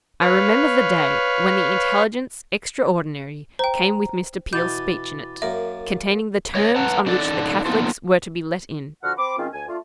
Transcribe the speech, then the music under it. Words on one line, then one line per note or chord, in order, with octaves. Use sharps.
I remember the day when the Intelligence Extraordinary came with Mr. Peel's speech in it, containing the terms on which the Catholics were to be let in!
B4 C#5 F5
C5 G5 A#5
B2 E3 D6 G6 A6
F#2 A#3 D5 E5
C#5 D#5
B4 F#5 A5 A#5
D4 D#4 A4 D5
A#3 B3 D#4 F4 A4 C5
D3 F3 F#4 F#5 F6
C4 B5 D6
D#3 G#3 C4 C#4 F4
D2 G#5
A3 D4 F4